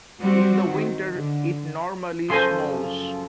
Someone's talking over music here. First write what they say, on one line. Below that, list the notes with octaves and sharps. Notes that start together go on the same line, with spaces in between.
In the winter it normally snows.
G3 C4 F#4
D#3
D3
F#2 C#3 F3 A4 C5 G#5 C6